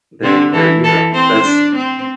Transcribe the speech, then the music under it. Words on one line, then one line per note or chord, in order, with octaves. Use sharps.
There you go, you know. That's
D3 C4
E3 A4
E3 A4
C4 C5
D4
C4